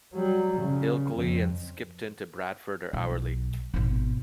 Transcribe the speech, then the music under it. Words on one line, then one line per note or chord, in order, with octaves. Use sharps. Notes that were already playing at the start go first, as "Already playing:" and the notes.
Ilkley and Skipton to Bradford are hourly.
F#3 G3
C#3
F2
B1
G#1 B2